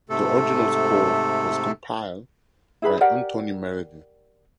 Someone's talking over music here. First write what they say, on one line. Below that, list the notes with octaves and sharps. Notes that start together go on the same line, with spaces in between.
The original score was compiled by Anthony Meredith.
G#2 C3 A3 A4
E4 G#4 B4 B5
G4 A#4 D5 F#5